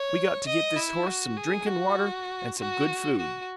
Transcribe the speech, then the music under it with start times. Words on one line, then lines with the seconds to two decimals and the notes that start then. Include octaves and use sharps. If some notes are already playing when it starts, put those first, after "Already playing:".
"We got to get this horse some drinkin'-water and some good food."
Already playing: C#5
0.47 D#5
0.76 E4
1.07 F#4
1.37 G#4
1.67 F#4
2.58 F#4
3.18 F#4